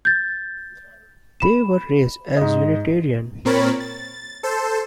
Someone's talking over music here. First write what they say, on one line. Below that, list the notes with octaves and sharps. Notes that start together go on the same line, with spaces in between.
They were raised as Unitarian.
G6 A6
B5 E7
G#2 D#5
A#2 C4 A#4 C#5 B5 A6
A6
A4 C5 A5